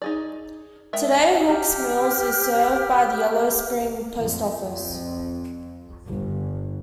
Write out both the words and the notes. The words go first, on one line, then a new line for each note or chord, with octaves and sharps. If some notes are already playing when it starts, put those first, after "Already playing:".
Today, Hooks Mills is served by the Yellow Spring post office.
D#4 G#4 D5
G#3 A#4 E5 G5
G4 F6
F2
G1